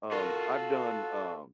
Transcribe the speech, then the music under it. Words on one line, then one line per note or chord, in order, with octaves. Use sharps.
Um, I've done, um
F4 F#4 A4 A#4
F5